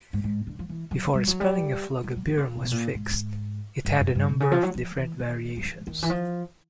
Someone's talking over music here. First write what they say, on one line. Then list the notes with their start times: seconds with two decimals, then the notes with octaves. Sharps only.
Before the spelling of Logabirum was fixed, it had a number of different variations.
0.13 G#2
0.24 G#2
0.47 D3
0.59 F3
0.69 E3
0.91 F#3
1.14 G3
1.27 F#3
1.40 G3
2.04 F#3
2.16 F#3
2.27 F3
2.37 D3
2.55 C3
2.63 B2
2.71 A#2
2.94 G#2
3.85 G2
4.00 F#2
4.15 G2
4.29 C3
4.40 C#3
4.52 F3
4.63 F#3
4.75 F3
4.97 E3
5.19 D#3
5.57 F#3
5.65 F3
5.87 D#3
6.03 E3
6.10 F3